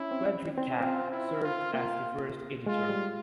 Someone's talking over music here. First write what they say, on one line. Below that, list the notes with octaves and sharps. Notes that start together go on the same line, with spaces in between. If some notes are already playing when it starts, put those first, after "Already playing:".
Friedrich Kapp served as the first editor.
Already playing: C#4 E4
C4
C4
C4 F4
E4
F4
A#3 F4
G#3 F4
G3